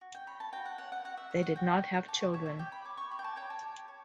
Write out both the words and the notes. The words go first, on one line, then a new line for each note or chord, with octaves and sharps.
They did not have children.
F#4
G5
C#5 B5
A5
F#4 G5
F#5
C#5 F#5
F#5
F#4 F#5
E5
C#5 E5
F#5
F#4 G5
C#5
G4 A5
C#6
C#5 E5
E5
G4 G5
B5
C#5 D6
C#6
G4 B5
G5
A5
C#5 G5
A5
G4
C#5